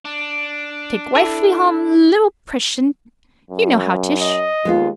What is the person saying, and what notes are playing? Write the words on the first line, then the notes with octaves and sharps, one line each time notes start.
Take wifely home li'l preshent--you know how 'tish.
D4
E4 A4
F#2
D#5
D#2 G#3 B3 F4